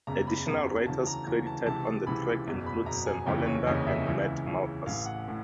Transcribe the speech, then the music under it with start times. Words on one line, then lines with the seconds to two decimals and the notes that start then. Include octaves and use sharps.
Additional writers credited on the track include Sam Hollander and Matt Malpass.
0.07 F#1 E2 C#3 A#5
0.27 B5
0.46 F#1 E2 C#3 A#5
0.86 D2 C#3 E3 A5
1.07 A#5
1.27 D2 C#3 E3 A#5
1.47 A5
1.66 C#2 C3 E3 A5
1.87 A5
2.07 C#2 C3 E3 B5
2.47 F#1 E2 B2
2.66 B5
2.86 F#1 E2 B2 A#5
3.06 G#5
3.26 F1 D#2 C#3 E3 G5
3.46 C#5
3.66 F1 D#2 C#3 E3 D#5
3.87 E5
4.06 C#2 C#3 E3 E5
4.46 C#2 C#3 E3
4.86 A1 A2 E3 F5
5.06 F#5
5.28 A2